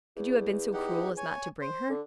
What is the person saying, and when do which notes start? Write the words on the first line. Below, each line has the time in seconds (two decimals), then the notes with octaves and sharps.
"Could you have been so cruel as not to bring her?"
0.17 E2
0.74 D#4 G4 F#5
1.17 C#5 G#5
1.61 C5
1.89 D3